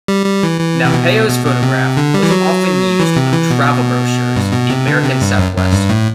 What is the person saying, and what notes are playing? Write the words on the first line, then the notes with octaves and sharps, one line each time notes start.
Nampeyo's photograph was often used on travel brochures for the American southwest.
G3
G3
E3
E3
C3
B2
B2
B2
C3
D3
G3
E3
F#3
E3
C3
E3
B2
G2
B2
C3
D3
C3
G2
F#2
F#2
G2
A2